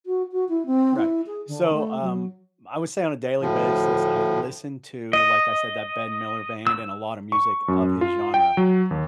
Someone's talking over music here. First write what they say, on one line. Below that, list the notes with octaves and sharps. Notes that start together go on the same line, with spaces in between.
Right. So, um, I would say on a daily basis, I listened to, like I said, The Ben Miller Band and a lotta music of his genre,
F#4
F#4
E4
C4
E4
G#4
D3
A3
F#3
D2 A2 F3
D#5
E6
C#6
F#2
F4
G5
F#3
D#2